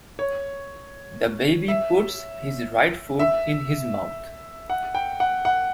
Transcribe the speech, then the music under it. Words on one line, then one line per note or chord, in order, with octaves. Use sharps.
The baby puts his right foot in his mouth.
C#5
E5
E5
F#5
G5
F#5
F#5